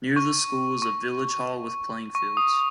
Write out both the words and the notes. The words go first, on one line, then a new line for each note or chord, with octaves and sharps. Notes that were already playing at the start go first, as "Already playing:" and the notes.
Near the school is a village hall with playing fields.
C#6
C#6
C#6
D#6